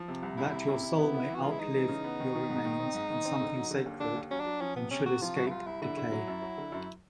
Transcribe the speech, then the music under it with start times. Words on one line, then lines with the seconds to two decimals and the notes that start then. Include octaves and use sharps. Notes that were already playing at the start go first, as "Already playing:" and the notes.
That your soul may outlive your remains in something sacred and should escape decay...
Already playing: F3
0.08 C3
0.23 C2
0.37 C2 E4
0.54 C3
0.68 C3
0.83 C3
0.99 B3
1.14 B3
1.29 E3
1.35 F#4
1.42 G#3 F4
1.51 E4
1.59 G#3 D#4
1.74 E3
1.89 C#3
2.04 B3
2.20 D#3
2.35 D#3
2.50 G#2
2.65 D#3
2.80 C4
2.95 G#2
3.10 D#3
3.25 C4
3.41 D3
3.56 F#3
3.71 D3
3.86 D#2
4.00 D3 D4
4.16 D#2
4.31 F#3 C#4
4.40 D4
4.46 F#3
4.61 F3 C#4
4.76 C3 B3
4.91 C3 C#4
5.06 C3 F#4
5.22 F3 F4
5.36 C2 F#4
5.47 E4
5.51 C2 F4
5.67 C2 E4
5.82 D3 E4
5.97 D3
6.12 F#3
6.28 F#2
6.42 F#3
6.58 D3
6.72 F#2